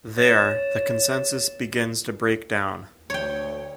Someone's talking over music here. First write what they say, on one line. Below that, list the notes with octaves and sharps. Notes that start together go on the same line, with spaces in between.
There, the consensus begins to break down.
C#5 A6 E7
D2 C#5 G5